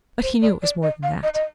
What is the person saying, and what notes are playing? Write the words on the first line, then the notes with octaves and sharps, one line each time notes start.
But he knew it was more than that.
C5
D5
D5
D#5
F5
D#5
D#5